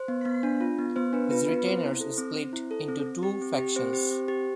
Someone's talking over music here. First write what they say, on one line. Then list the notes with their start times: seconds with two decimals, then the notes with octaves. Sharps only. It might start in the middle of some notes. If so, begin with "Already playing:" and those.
His retainers split into two factions.
Already playing: C5
0.08 B3
0.25 B3
0.43 D4
0.61 F4
0.79 B3
0.96 B3 C5
1.13 D4 B4
1.31 F4 B4
1.48 B3 B4
1.65 C4 C5
1.84 E4
2.00 A4
2.18 C4
2.36 C4
2.53 E4
2.71 A4
2.88 C4
3.06 C4
3.23 G4
3.42 C4
3.58 G4
3.76 C4 C5
3.93 G4
4.11 C4
4.28 G4